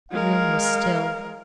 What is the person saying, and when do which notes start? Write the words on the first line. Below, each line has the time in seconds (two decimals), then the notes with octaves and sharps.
The room was still.
0.12 G#3 A#4 F5